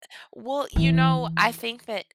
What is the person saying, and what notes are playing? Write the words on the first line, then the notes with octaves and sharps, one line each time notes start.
Eh Well, you know, I think that
E3